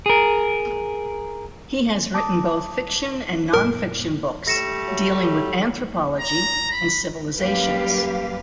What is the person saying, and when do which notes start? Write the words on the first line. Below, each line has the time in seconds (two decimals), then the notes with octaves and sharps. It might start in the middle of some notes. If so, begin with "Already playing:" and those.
He has written both fiction and non-fiction books dealing with anthropology and civilizations.
0.06 G#4 A#4
2.14 A5 D6 D#6
3.53 F#2 A#2 A#4
4.47 G3 A3 A#6 C#7 E7
4.88 F#3
6.20 A#5
6.71 B5
7.37 F#2 G3 A#3 G4 B4 F5